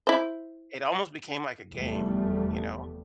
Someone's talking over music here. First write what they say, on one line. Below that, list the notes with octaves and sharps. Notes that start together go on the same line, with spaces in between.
It almost became like a game, you know?
E4 C5
F1 E2 G3 A3